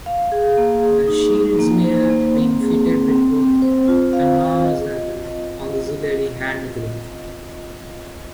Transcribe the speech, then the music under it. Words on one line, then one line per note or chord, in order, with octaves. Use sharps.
The shields may have been fitted with both enarmes and an auxiliary hand grip.
F5
G#4
A#3
G#4
D#4
D#4
A#3
C5
A#3
C4
G#4
C4
C4
C4
C5
F4
F5
F4
D#5